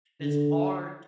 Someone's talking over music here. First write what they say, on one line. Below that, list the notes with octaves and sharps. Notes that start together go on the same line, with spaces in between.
it's hard
D3